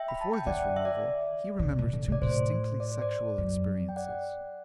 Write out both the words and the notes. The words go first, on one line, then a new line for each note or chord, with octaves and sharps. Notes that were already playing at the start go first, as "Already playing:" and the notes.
Before this removal, he remembers two distinctly sexual experiences.
Already playing: E5 G5
B5
A5
G5
D3 D5 F#5
E5
D5
D3
C3
B2
D3
C3 D5
A2 C5
D5
C5
D5
F#2
G5
D5 F#5